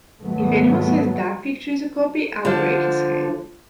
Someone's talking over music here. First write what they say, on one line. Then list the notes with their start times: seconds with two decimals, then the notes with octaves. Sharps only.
If anyone says that picture is a copy I'll break his head!
0.21 D#2 G#2 F#3 A3 B3
2.45 D3 F3